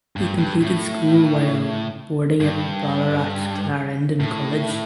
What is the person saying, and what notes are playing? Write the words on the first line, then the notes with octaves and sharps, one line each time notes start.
He completed school while boarding at Ballarat Clarendon College.
G2
G2
A2
G2
A2